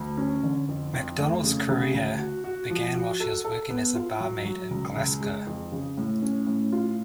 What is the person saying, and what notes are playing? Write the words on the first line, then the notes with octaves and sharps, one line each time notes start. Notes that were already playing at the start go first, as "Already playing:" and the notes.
Macdonald's career began while she was working as a barmaid in Glasgow.
Already playing: D2
C#4
D3
F2
F2
A3
C#3
C#3
D2
F#4
F#4
F3
F#4
A4
A4
B3
F4
F#3
F#3
C#2
C#2
G#3
F2
C#3
A2
C#4
A2
F4